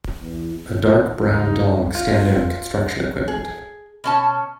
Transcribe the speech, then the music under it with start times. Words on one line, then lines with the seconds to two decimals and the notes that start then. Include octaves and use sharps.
A dark brown dog standing on construction equipment.
0.20 E2
0.77 D#3
1.31 D#2 C#3 F#3 D#4
1.95 F4
3.28 G#4
4.04 B2 C#4 A5